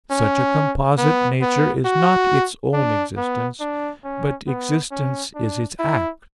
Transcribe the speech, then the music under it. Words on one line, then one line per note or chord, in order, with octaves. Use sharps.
Such a composite nature is not its own existence but existence is its act.
C#4
B3
B3
F#4
D4
B3
D4
C#4
B3
C#4
D4
E4